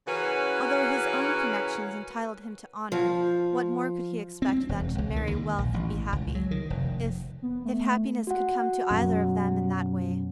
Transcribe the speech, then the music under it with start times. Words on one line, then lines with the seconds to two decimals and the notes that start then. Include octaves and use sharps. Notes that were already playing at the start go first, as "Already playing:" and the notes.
Although his own connections entitled him to honor, what more could he expect than to marry wealth and be happy, if--if happiness could come to either of them in that way.
0.07 C#3 E3 C#4 F#4 A#4 B4
2.92 F3
4.42 C4
4.69 E1
4.98 C#2
5.16 D#3
5.28 D#2
5.58 A#1
5.74 A1
6.13 C#2
6.35 F#3
6.51 D#3
6.70 F1
7.42 B3
7.65 A3
8.27 F#4 F#5
8.91 F#2 B2